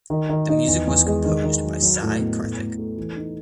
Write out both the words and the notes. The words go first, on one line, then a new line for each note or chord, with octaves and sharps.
The music was composed by Sai Karthik.
D#3
D#3
D#4
E2
E2
G#3
D#3
D#3
F#3
F#3
A2
B3
A2
A2
A3
E3
D#4